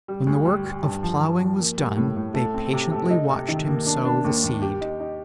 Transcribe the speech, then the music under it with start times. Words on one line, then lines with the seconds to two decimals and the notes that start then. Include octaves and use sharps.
When the work of plowing was done, they patiently watched him sow the seed.
0.08 G3
0.27 D2
0.45 G3
0.64 G3
0.83 G2
1.03 F3
1.21 F3
1.40 F3
1.59 A#3
1.77 G3
1.97 A2
2.16 A2
2.34 A3
2.54 C4
2.73 C3
2.91 A3
3.10 D#4
3.30 C3
3.48 D#3
3.68 A#3
3.87 D4
4.05 D4
4.24 D#2
4.43 D#2
4.62 G4
4.81 D#4
5.00 D#4